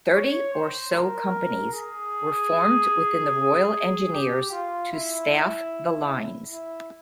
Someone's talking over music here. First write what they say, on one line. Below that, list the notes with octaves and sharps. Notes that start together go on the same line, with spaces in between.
Thirty or so Companies were formed within the Royal Engineers to staff the lines.
C#5
C5
A#4
G#4
G4
F4
E4
E4